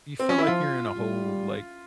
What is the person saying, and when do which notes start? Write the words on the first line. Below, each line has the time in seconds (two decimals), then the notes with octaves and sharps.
You feel like you're in a whole, like,
0.19 C4
0.29 C#4
0.38 E4
0.47 F3 F4
0.97 G3